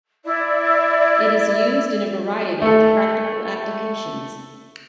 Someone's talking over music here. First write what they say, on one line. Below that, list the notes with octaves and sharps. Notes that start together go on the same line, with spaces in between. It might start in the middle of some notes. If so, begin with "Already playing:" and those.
It is used in a variety of practical applications.
E4 D5
A3 A4